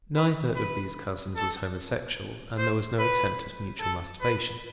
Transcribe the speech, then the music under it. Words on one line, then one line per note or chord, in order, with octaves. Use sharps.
Neither of these cousins was homosexual, and there was no attempt at mutual masturbation.
B4
B4
A4
C5
B4
A4
B4